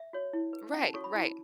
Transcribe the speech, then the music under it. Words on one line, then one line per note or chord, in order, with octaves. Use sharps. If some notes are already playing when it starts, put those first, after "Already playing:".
Right, right.
Already playing: E5
F#4 C#5
E4
B4
C#4 F#5
A5
F#4 A4 C#5 C#6
B5
E4 A5